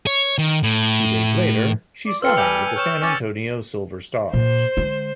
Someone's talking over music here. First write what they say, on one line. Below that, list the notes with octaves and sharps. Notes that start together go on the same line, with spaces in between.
Two days later, she signed with the San Antonio Silver Stars.
C#5
D#3
A2
D5
F4 A4 B4 G5 E6 F6 C#7
G3 A4 G#5 G6 C#7 F7
C#5 F6 G6 E7
C#4 G#5 D6 E6 A6 C#7
A#2 C5
D3 G#3